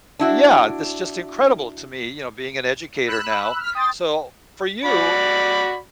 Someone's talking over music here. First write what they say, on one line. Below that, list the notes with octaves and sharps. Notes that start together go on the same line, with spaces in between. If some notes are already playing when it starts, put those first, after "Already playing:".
Yeah, that's just incredible to me, you know, being an educator now. So for you,
D4 E4 F#4
B5 E6 F#6
F6 B6
G5 C6 D#6 A6
F#4 D5 B5